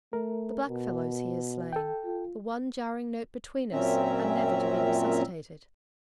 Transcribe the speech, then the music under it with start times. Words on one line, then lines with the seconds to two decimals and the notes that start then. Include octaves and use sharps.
The black-fellows he has slain--the one jarring note between us--are never to be resuscitated.
0.13 A3 A#4
0.69 B2
1.73 A4 G5
2.05 F4
3.73 F#2 A#2 C4 C#4 E5 A#5